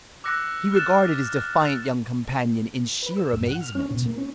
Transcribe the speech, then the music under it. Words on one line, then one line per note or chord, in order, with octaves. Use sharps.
He regarded his defiant young companion in sheer amazement.
D6 E6 F#6 A#6 C#7
F6 F#6 A6 E7
B4
E6
G2
F#5
F6
C#4
B2
A#3
C#4